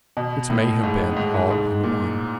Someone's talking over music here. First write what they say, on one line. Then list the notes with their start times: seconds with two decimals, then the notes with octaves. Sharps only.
It may have been all in one.
0.17 B2
0.50 A2
0.83 G#2
1.16 G#2
1.34 G#2
1.50 G#2
1.83 A#2